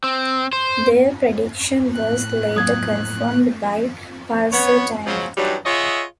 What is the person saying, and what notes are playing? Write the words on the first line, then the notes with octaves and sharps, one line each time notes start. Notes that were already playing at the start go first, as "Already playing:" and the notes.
Their prediction was later confirmed by pulsar timing.
C4
C5
A2 F#6
F#3 A#3 D#6 G#6
B3 C#5
C#3 F3 F#3
G2 E3 F#3 G3 D#4
F4 G#4 C#5 D#5 E5 F#5